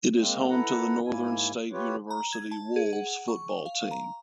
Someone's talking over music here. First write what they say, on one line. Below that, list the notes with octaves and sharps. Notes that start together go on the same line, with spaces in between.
It is home to the Northern State University Wolves football team.
G#3 A#3 C4
E4 A4 B4 F#5 A#5
G#2 A#3 E4 G#5
F4 G4 B4 C#5
A#5
G#6
A5
G#4
F#5
C#6
F5
A#5